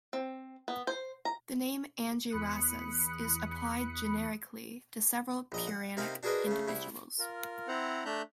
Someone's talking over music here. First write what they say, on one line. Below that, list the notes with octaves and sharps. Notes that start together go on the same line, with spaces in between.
The name Angirasas is applied generically to several Puranic individuals.
C4
B3
C5
A#5
E2 B5 D#6 F#6 C#7
A#1 D#5 A#5
F#5
C3 A#3 D#4 F5 B5
D4 F#4 G#4 A#4 B4 D#5
C#3 A3
C2 E4
F4 A#4
C4 E4 C5 F#5 A#5
A3 D4 E5 A#5 F#6 G6